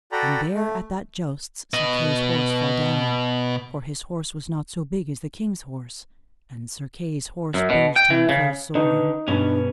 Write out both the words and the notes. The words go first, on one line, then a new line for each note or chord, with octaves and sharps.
And there at that jousts Sir Kay's horse fell down, for his horse was not so big as the king's horse, and Sir Kay's horse bruised him full sore.
F#4 A4 D5 G5 A#5 B5
A3
B2 D#5
F#2
B2
G5
E3
C#3
D3 D#3 D#4 B4
G2 B2 B3 C#4 D4 B4